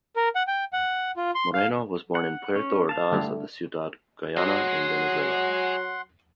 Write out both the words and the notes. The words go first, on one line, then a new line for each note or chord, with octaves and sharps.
Moreno was born in Puerto Ordaz of the Ciudad Guayana in Venezuela.
A#4
F#5
G5
F#5
F4
C6
F5
F#5
C#4
F5 A5
D3 G3 A3
F#3 G#4 D#5 F#5 C6